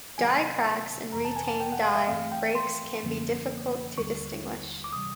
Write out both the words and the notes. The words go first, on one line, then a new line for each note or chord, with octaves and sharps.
Die cracks and retained die breaks can be difficult to distinguish.
C3 D#3 F#3 B3 G#5
F2 C3 E3 A#5
A5
G#5
A5
G5
F#5
F5
E5
G2 E3 A3 C4 F5
G5
C6
F#2 D3 F3 A#3 C#4
D#2 D3 G3 C#6
D6
C3 E3 G3 D#6